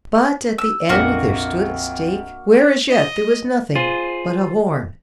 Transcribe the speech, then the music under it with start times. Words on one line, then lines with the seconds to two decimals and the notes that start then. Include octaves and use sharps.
But at the end there stood a stake where as yet there was nothing but a horn.
0.58 E6
0.89 A#1 F2 A#3 F#4
2.90 D#5
3.75 F4 G#4 C5